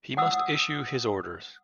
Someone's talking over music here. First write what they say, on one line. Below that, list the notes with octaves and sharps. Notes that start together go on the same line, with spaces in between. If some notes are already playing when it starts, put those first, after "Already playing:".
He must issue his orders.
F#5 D#6 E6